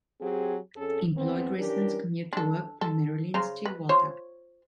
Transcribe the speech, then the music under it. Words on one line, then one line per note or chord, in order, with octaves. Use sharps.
Employed residents commute to work, primarily in Stillwater.
F#3 C4 G4 G#4
F2 C#4 G#4 A4
E2 B3 C4
E3 C#4 D4 G4 A#4
D4 A4
A4
C#3 C5 A#5
B4
F4 C5 C#5